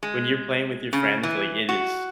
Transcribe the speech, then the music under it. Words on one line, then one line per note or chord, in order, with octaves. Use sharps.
when you're playing with your friends, like, it is
G#3
C#3
E3
F#4